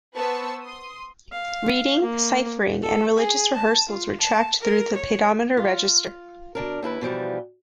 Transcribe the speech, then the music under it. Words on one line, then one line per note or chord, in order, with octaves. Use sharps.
Reading, Ciphering and Religious rehearsals were tracked through the paidometer register.
B3 B4 C5 A5 C#6 E6
C6 D#6
F5
A#3
A4
G#4
A5
F4
A5
A#4
C#5
F4
B2 D4 A#4
D#2 E4 A#4 B4
B2 E3 F3 G3